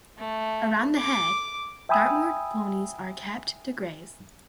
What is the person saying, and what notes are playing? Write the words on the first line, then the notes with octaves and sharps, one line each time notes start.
Around the head, Dartmoor ponies are kept to graze.
A3
D6
E5 G5 G#5 B5 D#6 E6